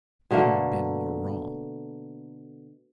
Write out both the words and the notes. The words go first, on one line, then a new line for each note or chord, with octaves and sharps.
He couldn't have been more wrong.
B2 D3 A3 A#3